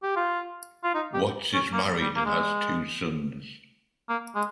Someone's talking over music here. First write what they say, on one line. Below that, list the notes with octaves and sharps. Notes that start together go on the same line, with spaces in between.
Watts is married and has two sons.
G4
F4
F4
D#4
G4
C#4
A#3
G3
A#3
G#3
A#3
G#3